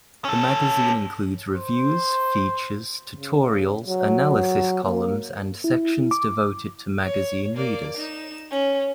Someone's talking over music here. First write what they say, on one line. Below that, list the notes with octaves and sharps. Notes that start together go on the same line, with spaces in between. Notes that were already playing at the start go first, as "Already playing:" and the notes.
The magazine includes reviews, features, tutorials, analysis columns and sections devoted to magazine readers.
C#4 A4
C5
C#3
F#3
A#3
E4
D6
C#5
A#3 D5
D#4 E7
C#4